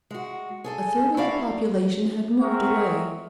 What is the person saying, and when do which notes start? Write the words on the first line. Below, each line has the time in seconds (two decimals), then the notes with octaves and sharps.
A third of the population had moved away.
0.10 G#3 F#4
0.64 G#4 A4 G#5
1.17 E4 F#4 A4 D5 F5
2.41 C4 G#4 A#4 E5 F#5 C#6